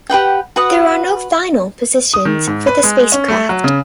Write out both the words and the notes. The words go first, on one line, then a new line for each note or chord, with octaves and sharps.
There are no "final" positions for the spacecraft.
G4 B4 F#5 G5
F#4 B4 F#5 D#6
D#6
D#3
G#2
B4
G#3
C#4
A3
F#3
C#3